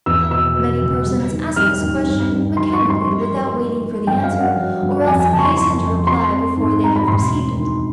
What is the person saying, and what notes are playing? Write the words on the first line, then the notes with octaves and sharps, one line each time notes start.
Many persons ask this question mechanically, without waiting for the answer, or else hasten to reply, before they have received it.
E2 E6
B2 E6
B2
F#1
G3
D#3
G3 F6
D#2
G2
G2
D#3 C6
C#6
G2
C6
G3
G3
A#3
A#3
G1 G5
F5
F#2
F#5
F#3
G1
F2 G#5
G#5
F#1 A5
C#6
C6
F2 C#6
F2
C4 C6
C4
G#2
C4 A#5
B5
E1 C6
D2
D#3